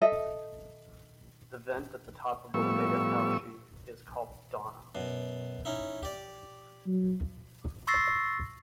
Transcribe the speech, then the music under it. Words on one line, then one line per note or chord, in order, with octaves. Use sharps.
The vent at the top of Omega Cauchy is called Donna.
A4 D#5 E5
A2 F3 G3 B3 C#6 E6
F#2 B2
C#4 D#4 E4
G4 D5
F#3
C6 C#6 E6 A6 A#6 C7